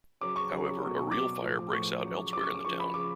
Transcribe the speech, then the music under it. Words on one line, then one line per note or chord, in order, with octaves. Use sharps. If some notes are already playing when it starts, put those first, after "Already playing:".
However, a real fire breaks out elsewhere in the town.
C#3 F#3 D6
C#6
C#3 F#3
B2 F#3
B2 F#3 D6
A2 F3
A2 F3 C#6
C#3 F#3
C#3 F#3 D6
C#6
D6
C#3 F3 C#6
B5
C#3 F3 D6